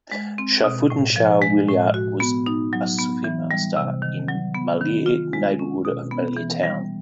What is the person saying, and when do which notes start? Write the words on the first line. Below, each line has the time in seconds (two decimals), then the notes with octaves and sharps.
Sharfuddin Shah Wilayat was a Sufi master in Malir neighbourhood of Malir Town.
0.12 G#3
0.38 C4
0.64 B2
0.90 A2
1.16 F3
1.41 G#3
1.68 A2
1.94 F#4
2.20 B3
2.46 D#4
2.73 F#3
2.99 B3
3.24 E3
3.51 G3
3.76 C3
4.02 D#3
4.29 F#3
4.55 B3
4.81 D#3
5.06 F4
5.33 G#3
5.59 C#4
5.85 B2
6.11 B3
6.37 E3
6.63 G3